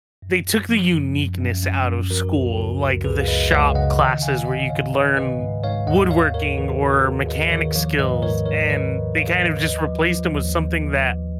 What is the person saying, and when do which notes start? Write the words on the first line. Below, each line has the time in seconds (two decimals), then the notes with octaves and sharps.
they took the uniqueness out of school, like the shop classes where you could learn woodworking or mechanic skills, and they kind of just replaced them with something that
0.22 F#2
0.46 F#2
0.69 F3
0.93 F#2
1.17 F#2
1.40 F#2
1.63 F#2
1.87 F#2
2.11 F3 F#4 A#4
2.34 C#2
2.57 C#3 F#4 A#4
2.81 C#2
3.04 C#2 G#4 B4
3.20 F5
3.28 C#2 B4 D#5
3.52 C#2 C#5 F5
3.75 C#3 D#5 F#5
3.99 D#3 D#5 F#5
4.22 D#3 F5 G#5
4.45 G#2 D#5 F#5
4.60 D#5
4.69 G#2 C#5 F5
4.93 D#3 B4 D#5
5.17 D#3 B4 D#5
5.40 G#2
5.64 G#2 C#5 F5
5.87 D#2 D#5 F#5
6.11 D#2 C#5 F5
6.34 D#2 A#4 C#5
6.58 D#3 G#4 B4
6.81 D#3 F#4 A#4
7.04 D#3 G#4 B4
7.28 D#2 B4 D#5
7.52 D#3 A#4 C#5
7.75 F3 C#5 F5
7.99 G#2 B4 D#5
8.22 G#2 A#4 C#5
8.46 G#2 A#4 C#5
8.69 G#2 B4 D#5
8.93 G#2
9.17 F3 C#5 F5
9.40 F3 B4 D#5
9.63 D#2 B4 D#5
9.87 F3
10.10 F3
10.35 D#2
10.58 D#2
10.82 F3
11.05 D#2